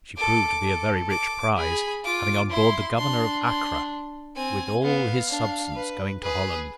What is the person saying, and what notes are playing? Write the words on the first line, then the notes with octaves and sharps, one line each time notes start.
She proved to be a very rich prize, having on board the Governor of Acra, with all his substance, going to Holland.
A4 D6
A4
D6
G#4 B5
F4 D6
E4 C6
D4 C6
C6
C4 G#5
B3 F5
D4
B4
G#4 B4